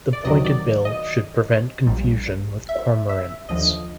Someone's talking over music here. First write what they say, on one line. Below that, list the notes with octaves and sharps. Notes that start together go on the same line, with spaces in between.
The pointed bill should prevent confusion with cormorants.
D5
D2 C3 D#3 F#3 D#5
D5
D#5
A#1 A#2 G3
E5
E5
D#2 D3 F3 D#5